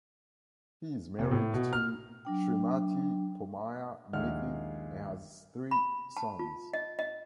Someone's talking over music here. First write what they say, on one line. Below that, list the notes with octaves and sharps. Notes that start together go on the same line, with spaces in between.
He is married to Shrimati Pomaya Mithi and has three sons.
F1
A2
B2
F6
F#3 D4 G5
A#1 D#2 G#3 E5 F#5 F6
B5
A5
F4
D#5
D#5